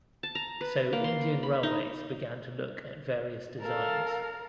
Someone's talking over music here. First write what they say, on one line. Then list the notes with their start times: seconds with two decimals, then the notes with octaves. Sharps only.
So Indian Railways began to look at various designs.
0.23 A5
0.35 A#5
0.61 B4
0.93 A#3
1.04 C6
1.43 B5
1.63 D#4
3.61 A4 A#4 F5